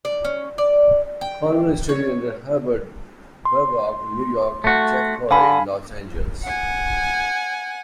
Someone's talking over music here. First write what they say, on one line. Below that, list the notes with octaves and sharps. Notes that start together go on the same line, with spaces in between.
Conwell studied under Herbert Berghof in New York and Jeff Corey in Los Angeles.
D5
C#4
D5
G5
C#5
C6
A3 F#4
D3 F5 G#5 B5
F#5 G#5